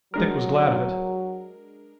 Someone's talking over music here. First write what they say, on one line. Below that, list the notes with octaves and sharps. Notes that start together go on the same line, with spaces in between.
Dick was glad of it.
F#3 G#3 D4 A#4